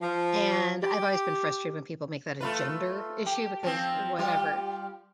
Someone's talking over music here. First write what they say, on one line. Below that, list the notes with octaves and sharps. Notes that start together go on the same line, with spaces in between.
and I've always been frustrated when people make that a gender issue because whatever.
F3
G4
A3 F4 B4
G4
F3 C4
G3 F4 G4